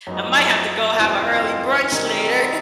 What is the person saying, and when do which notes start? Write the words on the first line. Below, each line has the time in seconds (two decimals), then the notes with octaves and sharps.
I might have to go have an early brunch later.
0.07 F#2 A2 F3 F#3 G#3 B3 D#4
0.99 E2 B2 E3 G#3 C4 F4
1.91 B2 D#3 G3 C4 D#4